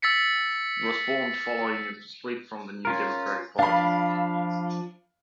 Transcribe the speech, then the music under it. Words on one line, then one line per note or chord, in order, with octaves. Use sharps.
It was formed following a split from the New Democratic Party.
E6 A6 B6 C#7
C#4 F4 A#4
F3 D4 F5 B5